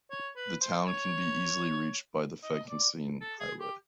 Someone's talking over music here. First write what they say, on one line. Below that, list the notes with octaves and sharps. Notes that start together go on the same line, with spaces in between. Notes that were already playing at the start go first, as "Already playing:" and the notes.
The town can be easily reached by the Phetkasem highway.
C#5
B4
C5
C#5
D#5
D5
A4
G#4
G4